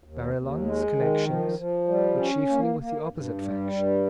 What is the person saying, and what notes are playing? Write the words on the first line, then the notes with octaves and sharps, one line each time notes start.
Barillon's connections were chiefly with the opposite faction.
D#2
D#2
G#3
D#3
F3
F3
G3
C#4
A#3
A#3
G2
G3
G2